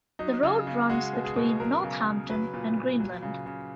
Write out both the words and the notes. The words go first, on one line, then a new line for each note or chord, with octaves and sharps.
The road runs between North Hampton and Greenland.
F#3 D#4
C#3
C#3
G#3 F#4
B2
G#4
B2
F#3 A#4
C#3
C#3
F#3 B4
A#2
A#2
F#3
C#3
C#3